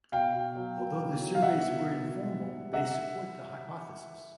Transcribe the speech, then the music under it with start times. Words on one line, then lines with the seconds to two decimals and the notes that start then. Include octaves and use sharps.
Although the surveys were informal, they support the hypothesis.
0.12 B2 F5 G5
0.34 B2
0.56 F#3
0.78 F#3
0.99 B2
1.21 F#3
1.35 F5
1.42 B2 E5 F#5
1.64 B2
1.86 B2
2.08 B2
2.30 G3
2.52 G3
2.72 C3 E5 F#5